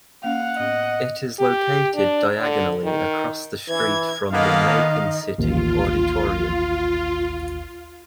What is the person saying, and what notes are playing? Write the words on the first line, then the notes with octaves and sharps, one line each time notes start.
It is located diagonally across the street from the Macon City Auditorium.
A#3 C#4 F5 F#5
A2 B3 C#4 D#5
G4
D4
D3
D#3
E3 G#6
D#3 A#3 B3 D#4 A4 D#5 F5
A1 D#2 F4